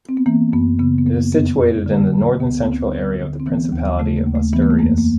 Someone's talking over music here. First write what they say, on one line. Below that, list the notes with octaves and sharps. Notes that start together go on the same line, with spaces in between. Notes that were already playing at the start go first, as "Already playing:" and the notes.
It is situated in the northern-central area of the Principality of Asturias.
C4
B3
E3 A#3
F#2 B3
C#3 B3
B3
F#2 A#3
F2 B3
F2
D3 A#3
D3
D2 B3
B3
D2 C4
D3
D3
C4
E3 B3
D#2
C#3 A3
A#3
D#2
A3
E3 B3
A#3
A3
F2 A#3
A#3